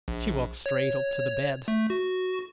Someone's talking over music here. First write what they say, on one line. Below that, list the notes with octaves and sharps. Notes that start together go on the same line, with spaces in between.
She walked straight up to the bed.
A#1
C#5
A3
F#4